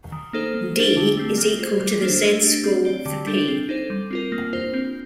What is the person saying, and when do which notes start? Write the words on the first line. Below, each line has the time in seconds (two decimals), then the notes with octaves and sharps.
"D" is equal to the z-score for "P".
0.12 D#3
0.33 A#3 D#4 A4 C5
0.54 A#3
0.76 D4 G4 C5
0.97 D3
1.17 A3 C4
1.38 A#3
1.59 F4 C5
1.80 G3
2.01 A#3 D4 A4 C5
2.22 A3
2.43 D4 G4
2.64 C4
2.85 G4 D5
3.06 D3
3.27 G3 D4 A4
3.48 C4
3.69 D#4 A4 C5
3.90 G3
4.11 C4 F4 A#4
4.32 A#3
4.53 F4 C5
4.74 C4